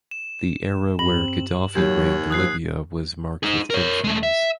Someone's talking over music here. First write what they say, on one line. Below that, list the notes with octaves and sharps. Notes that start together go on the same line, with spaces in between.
The era where Gaddafi reigned Libya was marked with tensions.
E7
G2 C4 F#7
D#2 F#3 G4 G#6
F3 D#6 F#6 C7
D#4 G#4
A#4 C#5
G#3 A3
E5